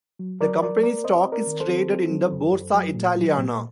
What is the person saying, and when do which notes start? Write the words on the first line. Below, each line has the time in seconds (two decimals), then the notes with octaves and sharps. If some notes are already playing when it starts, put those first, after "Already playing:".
The company's stock is traded in the Borsa Italiana.
0.19 F#3
0.41 F#3 A#4 D5
0.62 F#3 A#4 D5
0.83 A#3 A#4 D5
1.04 C4 C5 D#5
1.25 C4
1.32 A#4 D5
1.47 D#3
1.60 A4 C5
1.68 C4
1.90 C4
2.10 F#3
2.32 F#2
2.52 F#2
2.74 F#3
2.94 A#2
3.16 F#3
3.37 A#2